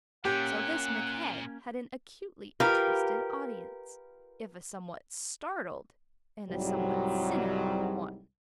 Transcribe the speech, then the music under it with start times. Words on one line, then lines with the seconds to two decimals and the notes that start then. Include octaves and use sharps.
So this Mackay had an acutely interested audience, if a somewhat startled, and a somewhat cynical, one.
0.25 A#2 A#3 C#4 G4 F#5
2.60 F4 G4 A#4 B4 F5
6.49 C2 G#2 F#3 G3